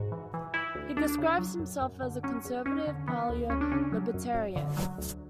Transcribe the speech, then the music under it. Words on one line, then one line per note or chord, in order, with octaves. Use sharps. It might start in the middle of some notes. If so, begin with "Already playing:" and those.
He describes himself as a conservative-paleo-libertarian.
Already playing: G#2 F#4
E3
E3
E3 E4
D2
D2 D4
C#3
F#3
F#2
F#2
D3
F#3 C#4
E2
E2 C#4
D3
E3 B3
D2
D2 C#4
D4
C#3 C#4
F#3
F#2
F#2
D3
F#3
D2